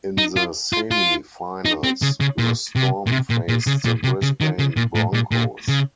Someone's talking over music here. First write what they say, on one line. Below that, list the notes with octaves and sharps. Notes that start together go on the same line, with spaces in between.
In the Semi-Finals, the Storm faced the Brisbane Broncos.
D#4
F4
F4
F4
D#4
C4
C#3
C#3
A#2
C3
A#2
C3
A#2
A#2
C#3
A#2
C3
C#3
D#3
C#3
A#2
A2
A#2
A#2
C#3